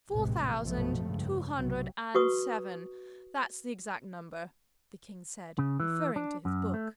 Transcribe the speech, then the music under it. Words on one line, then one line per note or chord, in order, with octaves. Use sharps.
'Four thousand two hundred and seven, that's the exact number,' the King said, referring to his book.
A#1 E2 A2 C3 E3 G#3
F1 A#1 F#2 B2 F3 A3
C#2 G2 C#3
B1 C3 F#3
F#4 B4 C#6 D#6
C#3
E3
D4
F#2
A3